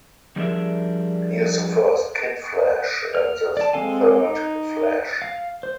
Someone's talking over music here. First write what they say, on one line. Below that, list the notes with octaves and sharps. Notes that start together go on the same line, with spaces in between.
He is the first Kid Flash and the third Flash.
F3 G3 D4 G#4 A#4 E5
F6
D5 A5
G#3 C4 A4 F5 G#5
D#4
F5
C5